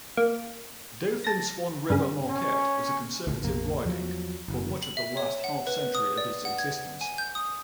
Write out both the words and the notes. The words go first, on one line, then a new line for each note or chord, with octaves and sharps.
Dauphin-Swan-River-Marquette was a conservative riding for much of the last half-century of its existence.
A#3
A5 A#6
G2 C#3
C#4
C#2 A2
A#1 F2 C3 A#3
E2 F3 F#3
F#1
F#7
E5
C#5
F#5
B4
D#6
D5
F#5
G#6
G#5
G6
D#6